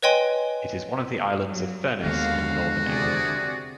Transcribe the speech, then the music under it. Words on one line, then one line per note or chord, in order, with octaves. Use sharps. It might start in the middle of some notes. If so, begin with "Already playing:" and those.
It is one of the Islands of Furness in northern England.
B4 C#5 D#5 G5 G#5 C6
F#3
D#2 D3 D#3 G#3 B3 F#4 F5
C3 G#4 D5